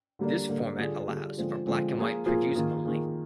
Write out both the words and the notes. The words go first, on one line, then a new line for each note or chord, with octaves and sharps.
This format allows for black-and-white previews only.
D3 G3 A#3 D4
D3 G3 A#3 D4
D3 G3 D4 F4 G#4
D3 G3 D4 F4 G#4
D3 F3 G#3 C4 F4
D3 F3 G#3 C4 F4
F3 A#3 F4 G#4
F3 A#3 F4 G#4
D#3 A#3 F4 G#4
D#3 A#3 F4 G#4